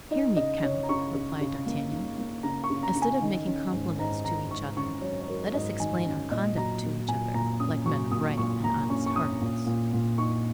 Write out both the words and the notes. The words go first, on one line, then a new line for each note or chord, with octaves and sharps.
"Hear me, count," replied D'Artagnan; "instead of making compliments to each other, let us explain our conduct to each other, like men of right and honest hearts."
D#4 D#5
C#3 D#5
C#3 C#5
A#5
C#3 C#6
C#3
C#3
A#3
D#4
A#3
C#3 A#5
C#6
C#3
A#5
C#3
G#5
D#3
C#4
G#2
G#2 A#5
D#3 A#5
G#2 C#6
C#4 C#6
F#3 C#5
C#5
F#3 A#4
G#2 D#5
D#3 G#5
C#4
A#2 D#5
F#3 A#5
A#2
A#2 G#5
A#2 A#5
C#4 D#6
F#3 C#6
A#2 D#6
A#2 C#6
A#2 A#5
C#4 C#6
C#6
C#4 D#6
A#2
A#2
A#2
D#4 C#6